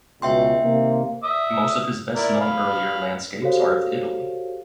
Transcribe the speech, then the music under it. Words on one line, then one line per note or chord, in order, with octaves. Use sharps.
Most of his best known earlier landscapes are of Italy.
C#2 B2 E5 G5 C6
C3 D#3 A#3
E5 D#6 E6
E4 A#4 D5
F5 B5
F#4 G4 A4 C5 C#5 F5